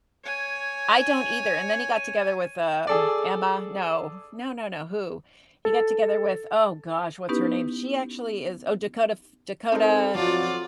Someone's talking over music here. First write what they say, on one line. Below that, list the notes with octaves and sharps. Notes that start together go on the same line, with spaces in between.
I don't either, and then he got together with, um, Emma. No, no, no, no. Who? He got together with, oh gosh, what's her name? She actually is oh, Dakota F Dakota,
C#5 G#5
G#4 A4 D5
A4
B3 C#4 D#4 E4 G4 B4
C4 D#4 A4 A#4
F3 F#3 C4 F4 F#4 D5